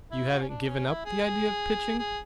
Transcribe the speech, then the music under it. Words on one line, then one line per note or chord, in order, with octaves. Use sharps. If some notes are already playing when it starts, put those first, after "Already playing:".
"You haven't given up the idea of pitching?"
E4
F#4
C#4
D4
C#4
E4
G#4
G#4
G#4